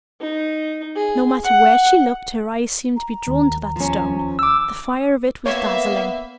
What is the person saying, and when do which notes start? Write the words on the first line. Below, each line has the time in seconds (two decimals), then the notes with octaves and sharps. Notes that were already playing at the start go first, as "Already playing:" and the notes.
No matter where she looked, her eyes seemed to be drawn to that stone; the fire of it was dazzling.
0.20 D#4
0.95 G#4
1.43 F#5
2.96 A#5
3.27 D#2
3.76 F3 C#4
4.39 D6 E6
5.46 A#3 B3 C#5 E5